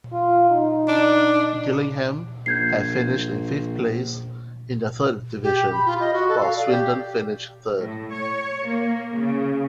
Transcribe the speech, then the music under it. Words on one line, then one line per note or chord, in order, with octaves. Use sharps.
Gillingham had finished in fifth place in the Third Division while Swindon finished third.
F4
D#4
D4
A#1 G6 G#6 C7
G4
G4
B5
F4
D#5
F#4
A4
F5
D5
G4
A2
C#5
A#3
C#3